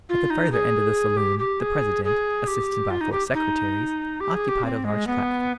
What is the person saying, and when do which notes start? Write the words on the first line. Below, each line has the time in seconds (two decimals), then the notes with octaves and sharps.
At the further end of the saloon the president, assisted by four secretaries, occupied a large platform.
0.09 F4
0.30 D#4
0.52 G#4
1.17 G4
1.39 G4
1.61 G#4
2.04 G#4
2.47 G4
2.90 F4
3.01 D#4
3.12 G4
3.34 D#4
4.20 G4
4.34 G#4
4.49 G4
4.64 C4
4.84 G#3
5.07 B3